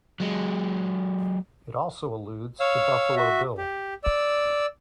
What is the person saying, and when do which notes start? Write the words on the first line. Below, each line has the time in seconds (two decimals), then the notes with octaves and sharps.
It also alludes to Buffalo Bill.
0.20 F#3 G#3
2.60 C#5 F5 E6
3.16 F#4 E5
3.58 G4
4.04 D5 E6